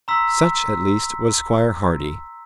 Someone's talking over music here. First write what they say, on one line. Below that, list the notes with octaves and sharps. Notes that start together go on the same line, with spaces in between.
Such, at least, was Squire Hardy.
A#5 C6 E6 B6